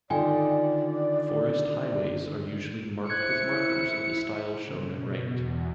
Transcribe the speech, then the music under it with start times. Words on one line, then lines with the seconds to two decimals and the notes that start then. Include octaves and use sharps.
Forest highways are usually marked with markers of the style shown at right.
0.10 D3 D#3 F4 D5 G5 G#5
3.10 E4 C5 F#6 G#6 C#7
4.59 C#3
4.90 B2
5.30 E2